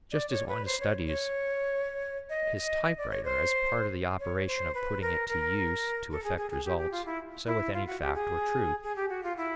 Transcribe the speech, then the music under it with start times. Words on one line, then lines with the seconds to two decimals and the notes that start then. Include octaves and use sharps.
Just as one "studies" his typewriter as part of the operation of putting it to use to effect results, so with any fact or truth.
0.12 D5
0.30 C#5
0.48 B4
0.66 C5
0.80 C#5
1.07 C#5
2.30 D#5
2.57 D#5
2.84 D#5
2.98 D5
3.11 C#5
3.25 C5
4.20 C#5
4.47 C5
4.74 B4
5.02 A#4
5.29 A#4
6.11 A4
6.24 G#4
6.38 G#4
6.51 G#4
6.65 G4
6.78 G4
6.92 F4
7.06 E4
7.46 E4
7.74 F4
7.87 F#4
8.01 G4
8.14 G#4
8.83 G#4
8.96 G4
9.09 F#4
9.23 F4
9.37 E4